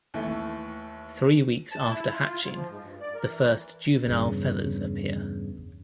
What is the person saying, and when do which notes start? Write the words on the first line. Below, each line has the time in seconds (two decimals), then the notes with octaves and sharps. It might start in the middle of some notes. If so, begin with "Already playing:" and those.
Three weeks after hatching, the first juvenile feathers appear.
0.14 D#2 E3 A3
1.71 A5
1.86 E4
2.12 F4
2.41 G#2
2.54 F3
2.69 G#2
2.82 G2
3.00 D5
3.14 A#4
3.26 E3
4.07 E2 G2 C#3